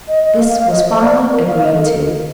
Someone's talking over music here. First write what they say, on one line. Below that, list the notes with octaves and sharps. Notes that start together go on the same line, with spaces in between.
This was finally agreed to.
D#5
D#5
F5
F5
D#5
C5
D5
A#4
F5
D#5
A4
A#4